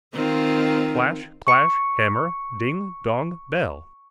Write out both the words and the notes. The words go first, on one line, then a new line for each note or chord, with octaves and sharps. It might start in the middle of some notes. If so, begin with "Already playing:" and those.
Clash, clash, hammer; ding, dong, bell!
D#3 C4 F4
C#6 C#7